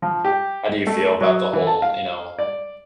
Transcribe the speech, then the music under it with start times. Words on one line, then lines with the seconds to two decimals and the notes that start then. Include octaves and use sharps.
how do you feel about the whole, you know,
0.02 F3
0.25 G4
0.87 A3
1.21 F#3
1.53 E3
1.67 A5
1.82 F5
2.38 D5